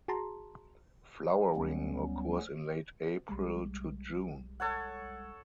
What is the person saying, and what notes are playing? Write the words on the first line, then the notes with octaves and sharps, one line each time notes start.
Flowering occurs in late April to June.
F#4 G#4 A5 A#5 C6
D2 F#3 G3 B3 C#4
B1 G3 G#3
A4 C#5 F#5